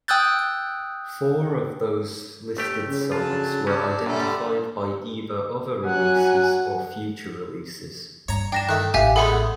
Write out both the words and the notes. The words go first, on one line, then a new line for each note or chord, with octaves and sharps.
Four of those listed songs were identified by either other releases or future releases.
G5 D#6 E6 F#6 G6 A6
G1 A3 G4
C#3
D3 F#3 F4 A5
F#3 G3 C#4 D4
F#2 D3 G3 A3 D4
F#3 F#5 G#5 F#6
G2 C#5 A#5
D4 G5 A#6 E7
D#3 A3 F#6
A1 G4 E5 F5 G#5
G#3 A3 B3 A4 F#5 B5